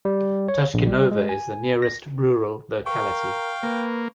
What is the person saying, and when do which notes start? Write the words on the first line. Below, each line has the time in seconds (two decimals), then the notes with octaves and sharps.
Tashkinova is the nearest rural locality.
0.05 G3
0.48 C#5
0.74 A#1
0.87 G3
1.11 G#3
1.29 G#5
1.82 A#6
2.86 A#4 F5 G5 C#6
3.63 A#3 B4